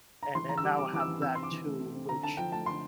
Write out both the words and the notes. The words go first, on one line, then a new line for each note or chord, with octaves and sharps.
and and now I have that too, which
A#5
E3 C6
E3 A#5
E6
G3 D6
C4 D6
E3 D6
E6
E3
C3 E6
C4 C6
D6
E3
A3
C3
C4
D3 A#5
D3 A5
F3 G5
A3 A5
D3 C6